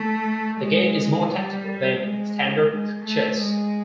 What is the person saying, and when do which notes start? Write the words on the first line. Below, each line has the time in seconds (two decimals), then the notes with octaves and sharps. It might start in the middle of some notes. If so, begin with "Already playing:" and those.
The game is more tactical than standard chess.
Already playing: A3
0.61 G#3
1.30 G3
2.00 G#3
2.69 G#3
3.05 A3
3.40 G#3